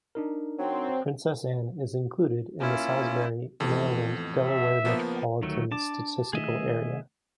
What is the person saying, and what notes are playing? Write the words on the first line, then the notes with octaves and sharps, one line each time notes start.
Princess Anne is included in the Salisbury, Maryland-Delaware Metropolitan Statistical Area.
D4 D#4 A#4
F#3 C4
A#3 C#4 E4 F4
A1 F2 B2
E5
C#3 F3 A#3 B3
D2 D#3 F#3 A3
D4 A5 D6
D#3 A3 G#4 D#5 E5